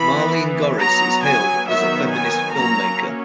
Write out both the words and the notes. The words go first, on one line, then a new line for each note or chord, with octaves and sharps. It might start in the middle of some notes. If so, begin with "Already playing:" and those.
Marleen Gorris is hailed as a feminist filmmaker.
Already playing: E3 B3 B5
F#3 B3 A#5
G#5
D#3 F#3 B3 E5
G#5
F#3 A#3 C#4 A#5